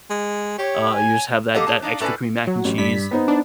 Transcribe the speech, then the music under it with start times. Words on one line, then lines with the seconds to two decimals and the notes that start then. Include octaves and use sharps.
uh, you just have that that extra creamy mac and cheese,
0.10 G#3
0.59 G4 C#5
0.94 G#5
1.54 A#3 G4 A4 D#5 F5 F#5
1.67 G#4 A5
1.82 D4 D#4 D5 F5
2.00 A2 A4 B4 D5 G#5
2.47 F#3
2.65 A1
2.78 G2 B6
3.11 B3 D#4 C5
3.28 D4